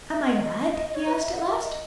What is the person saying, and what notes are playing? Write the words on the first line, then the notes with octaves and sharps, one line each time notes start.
"Am I mad?" he asked at last.
E5
D#5
D#5
C#5
B4
E5
F#5
E5
D#5